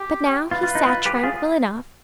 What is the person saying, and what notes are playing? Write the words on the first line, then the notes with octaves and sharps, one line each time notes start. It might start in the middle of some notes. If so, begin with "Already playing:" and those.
But now he sat tranquil enough.
Already playing: G4
F4 B4
F4
D#4
F4
G4 B4
F4 G#4